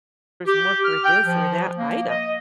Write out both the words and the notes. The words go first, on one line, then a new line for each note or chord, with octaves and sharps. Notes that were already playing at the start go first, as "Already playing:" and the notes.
more for this or that item."
G4
F6
G5
F3
A#3
D#5